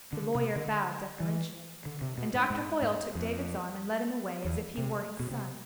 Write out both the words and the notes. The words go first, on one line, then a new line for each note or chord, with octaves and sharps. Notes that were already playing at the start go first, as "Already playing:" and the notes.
The lawyer bowed deferentially, and Doctor Hoyle took David's arm and led him away as if he were his son.
D3
C3
D3
E3
D3
C3
B2
G#2
G#2
G#2
F2
E2
C3
B2
C3